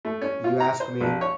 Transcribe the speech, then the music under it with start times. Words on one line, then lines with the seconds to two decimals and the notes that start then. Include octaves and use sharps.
you ask me,
0.05 A3
0.22 C#4
0.44 F4
0.60 A#5
0.80 C5
1.01 A#1
1.21 C#5